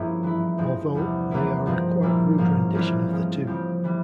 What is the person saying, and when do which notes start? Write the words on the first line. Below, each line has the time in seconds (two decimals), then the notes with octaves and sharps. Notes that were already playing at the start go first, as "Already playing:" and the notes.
Although, they are a quite rude rendition of the two.
Already playing: G2 F3 A#3 C#4 E4 G#4
0.23 E3 G#3 E4
0.58 G2 F3 G#3 C4
0.95 E2 C3 G3
1.31 E3 A#3 E4
1.66 G2 F3 G#3 C4
2.02 A#2 G3 A#3 E4
2.38 G#2 F3 A#3 C#4
2.74 E3 G3 C4 F4 G#4
3.10 F3 G#3 C#4
3.47 C#3 F3 C4 G4
3.84 E3 G3